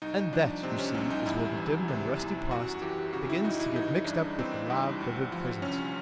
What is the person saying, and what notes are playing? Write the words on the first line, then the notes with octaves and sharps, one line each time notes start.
And that, you see, is where the dim and rusty past begins to get mixed up with the live, vivid present.
C2 D#4
F3 D4
C3 C4
C#4
C2 C#4
D#4
E2 E4
E3
C3
E2
F#2 F#4
E3 G4
C#3 F#4
E4
F#2 D#4
E4
E3 D#4
G2 D4
E3 C4
G2
D2
F3
C3 C#4